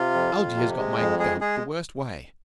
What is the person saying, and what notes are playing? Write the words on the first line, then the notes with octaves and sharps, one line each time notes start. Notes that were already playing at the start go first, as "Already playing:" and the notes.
Algie has got my goat the worst way.
Already playing: C3 F4
F2
F2
C3
G#3
F2
G#3 G#4
G#3 G#4